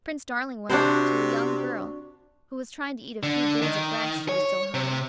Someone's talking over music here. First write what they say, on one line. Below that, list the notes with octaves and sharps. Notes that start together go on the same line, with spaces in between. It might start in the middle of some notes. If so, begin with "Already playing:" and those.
Prince Darling went up to a young girl who was trying to eat a few blades of grass, she was so hungry.
C3 D4 F#4 C5
D3
D#3
C#5
C3